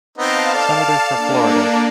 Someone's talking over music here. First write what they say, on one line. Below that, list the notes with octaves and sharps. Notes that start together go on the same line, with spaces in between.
Senator for Florida.
B3 C4 D#4 F5 A5
A4 D5
A#3 D4